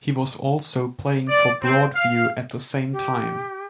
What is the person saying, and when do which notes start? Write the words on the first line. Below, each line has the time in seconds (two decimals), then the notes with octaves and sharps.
He was also playing for Broadview at the same time.
1.29 D5
1.62 C4
1.95 F5
2.92 G4